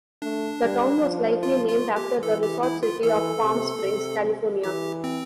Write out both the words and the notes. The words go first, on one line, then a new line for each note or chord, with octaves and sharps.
The town was likely named after the resort city of Palm Springs, California.
A3 D4
G3
F3
F4
F4
G4
E3 A4
G4
E4
F4
E3 A4
C3
C3
E3 G4
C4